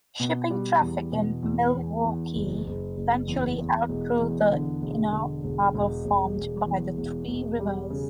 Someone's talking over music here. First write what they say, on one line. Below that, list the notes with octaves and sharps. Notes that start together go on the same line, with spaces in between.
Shipping traffic in Milwaukee eventually outgrew the "inner" harbor formed by the three rivers.
B2
G3
E2
B2
E2
E2
E2
F#1
F#1
F#1
E2
E2
E1
E2
D3
E1
D3
E1
E1
E1
E1
E2
E1
E1
G3
C#3